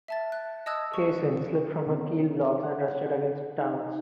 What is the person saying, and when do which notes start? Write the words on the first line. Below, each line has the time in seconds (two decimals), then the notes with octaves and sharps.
"Cassin" slipped from her keel blocks and rested against "Downes".
0.08 E5 A5 A6
0.32 F#6
0.66 D#5 A5 D#6 E6 F#6 G#6
0.94 C#6
1.86 C3 B3 C#4
2.63 F#5
3.59 D#4